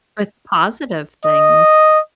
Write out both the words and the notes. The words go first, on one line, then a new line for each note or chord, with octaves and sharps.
With positive things.
D#5